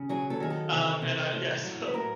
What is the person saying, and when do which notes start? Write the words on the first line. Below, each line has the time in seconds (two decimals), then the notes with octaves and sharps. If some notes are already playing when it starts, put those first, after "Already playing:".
um, and, uh, yeah, so
Already playing: C#3
0.09 F#3 G#4
0.30 A4
0.40 D#3 G#4
0.50 A4
0.72 C3
1.02 C3
1.33 A2
1.64 F#3
1.87 B4
1.94 A2 A#4